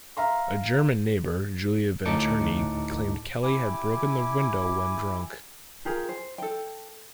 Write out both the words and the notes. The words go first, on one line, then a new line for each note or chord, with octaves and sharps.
A German neighbour, Julia Venturney, claimed Kelly had broken the window when drunk.
E5 F5 A#5 C6
D2 A2 D#4 A5 D6 C#7
E4 G4 G#5 D6
F4 G4 G#4 A#4
C5
A4 G5